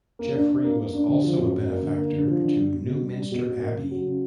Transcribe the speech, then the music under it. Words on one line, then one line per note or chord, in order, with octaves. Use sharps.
Geoffrey also was a benefactor to Newminster Abbey.
A#3
D4
D4
A#3
A#3
D4
D3
F3
F#2
F#2
A#3
D3
A#3
D3
F3
D3
G3
B2
B2
G3
G3
B2
B2
A#3
C#3
F#3
C#3